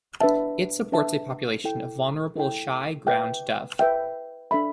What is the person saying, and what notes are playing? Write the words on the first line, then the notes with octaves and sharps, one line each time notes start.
It supports a population of vulnerable Shy Ground-dove.
D4 B4 E5 A5
D4 B4 E5 A5
E4 A4 G5
E4 A4 G5
B4 E5 G5
B4 E5 G5
D4 A4 E5 B5